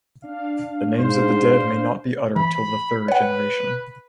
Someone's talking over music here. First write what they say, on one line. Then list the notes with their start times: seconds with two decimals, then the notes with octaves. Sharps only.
The names of the dead may not be uttered till the third generation.
0.22 D4 F5
0.99 G#2 C5
2.36 E3 B5
3.08 B4 C#5 F#5